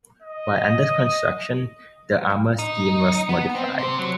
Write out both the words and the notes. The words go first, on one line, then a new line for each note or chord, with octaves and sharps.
While under construction, the armor scheme was modified.
D#5
D#4
B3
C4
C3
F#3